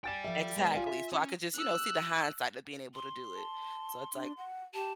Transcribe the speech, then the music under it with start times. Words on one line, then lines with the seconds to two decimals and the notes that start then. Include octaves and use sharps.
Exactly. So I could just, you know, see the hindsight of being able to do it. So it's like,
0.04 D5 G5 G#5 A6 E7
0.24 F3 A4 E5
0.56 G#3 B3 D#5
0.75 F4 F5 G#5
0.87 E5
1.12 C#4
1.55 E6 F#6
2.95 C6
3.37 A5
4.15 D4
4.38 F#5
4.74 G4 A5